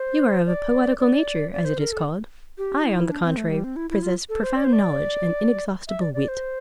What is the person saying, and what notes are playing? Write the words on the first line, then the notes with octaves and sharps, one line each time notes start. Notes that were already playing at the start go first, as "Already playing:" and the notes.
You are of a poetical nature, as it is called--I, on the contrary, possess profound knowledge and inexhaustible wit.
Already playing: C5
D5
D5
D5
C5
A#4
A4
G4
E4
D4
C4
A3
G3
C4
E4
E4
F4
A4
C5
D5
C5
D5
E5
D5
D5
C5